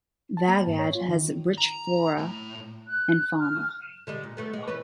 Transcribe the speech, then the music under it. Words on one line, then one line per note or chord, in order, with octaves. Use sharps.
Vagad has rich flora and fauna.
A5
A#3
G#2
C#5
F4
D#3
A#5
A2 A3
F#6
F6
D3 G3 G#3
A#2
A2 A3 B3
G#3
E3 C#4 B4